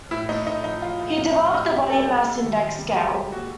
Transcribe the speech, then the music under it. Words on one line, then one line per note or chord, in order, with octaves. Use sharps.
He developed the body mass index scale.
A2 E4
A3 D#4
A2 D#4
F3 D#4
F3 F4
A2
F3
A2
C3 D#4
C3 G4
G3 A4
C3
C3
D#3
G3
C3
G#3 A4
G#3 G4
A#2 F#4